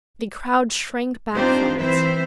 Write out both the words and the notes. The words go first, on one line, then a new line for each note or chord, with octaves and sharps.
The crowd shrank back from it.
C4 D4 D#4 F4 G4 C5
E3 C4 E4 B4 C5 E5